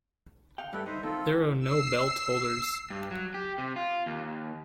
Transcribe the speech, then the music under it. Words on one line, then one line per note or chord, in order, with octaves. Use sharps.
There are no belt holders.
F5 G5
G2 G3 A3 E4 A4 B4
D#4 C5 D#5 E5
D#3 A3 C4 F4 A4
E6 C7
G2
F#3
G4
C3
F4
D#2